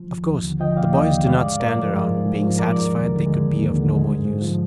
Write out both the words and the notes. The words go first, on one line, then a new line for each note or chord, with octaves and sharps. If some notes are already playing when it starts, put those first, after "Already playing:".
Of course the boys did not stand around, being satisfied they could be of no more use.
Already playing: F3
D#2
D#2
D3
F3 D#5 G5
D#2 D5 F5
D#2 D#5 G5
D3
G#3 D5 F5
G#2
G#2 A#4 D5
F3
G#3
G#2
G#2
F3
G#3 A#4 D5
D#2
D#2
D3
G#3
D#2
D#2
D3
G#3
G#2
G#2
F3